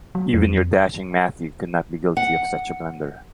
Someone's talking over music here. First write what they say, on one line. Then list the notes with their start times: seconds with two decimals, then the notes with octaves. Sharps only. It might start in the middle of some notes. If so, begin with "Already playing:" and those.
Even your dashing Matthew could not be guilty of such a blunder.
0.15 F#3
0.34 F2
2.17 F#5